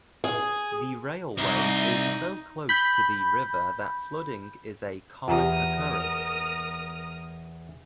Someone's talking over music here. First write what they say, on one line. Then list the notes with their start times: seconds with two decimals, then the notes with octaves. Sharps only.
The railway is so close to the river that flooding is a common occurrence.
0.24 G#4
1.38 C2 D#4
2.69 B5 G6
5.28 E2 F4 G4 A#4 A#5 D#6